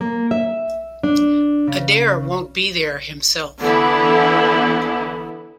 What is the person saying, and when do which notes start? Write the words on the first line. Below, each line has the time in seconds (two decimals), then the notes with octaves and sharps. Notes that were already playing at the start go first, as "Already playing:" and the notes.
Adair won't be there himself.
0.01 A#3
0.31 E5
1.03 D4
1.67 C#3
3.59 D3 E3 B3 E4